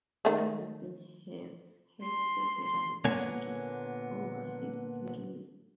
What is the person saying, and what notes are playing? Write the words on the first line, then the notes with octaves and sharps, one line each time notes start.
Anderson has had several injuries over his career.
D#3 A3
C6
C6
A#2 D3 A#3 B3 C#5 G#5